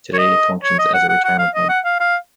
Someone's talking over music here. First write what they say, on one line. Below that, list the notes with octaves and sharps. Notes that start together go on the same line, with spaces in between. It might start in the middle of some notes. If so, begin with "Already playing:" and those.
Today, it functions as a retirement home.
C#5
D#5
C#5
D#5
F#5
F#5
F#5
F5
D#5
F#5
F5
F5